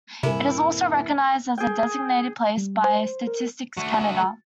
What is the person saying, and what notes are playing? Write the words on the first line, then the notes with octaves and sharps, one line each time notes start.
It is also recognized as a designated place by Statistics Canada.
D#1 G2 C3 A#3 C4 E4 G#5
G#4 G5
G3
C5
A#4
A3 F#4